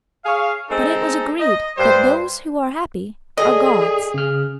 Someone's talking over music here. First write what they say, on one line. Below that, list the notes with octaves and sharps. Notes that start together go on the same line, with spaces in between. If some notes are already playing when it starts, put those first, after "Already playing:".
But it was agreed that those who are happy are gods.
G#4 C#5 F5
G#3 C4 D#4 A4
D#5
G2 G3 C5
G#4 A4 D5 D#5 D#6
C#3 F6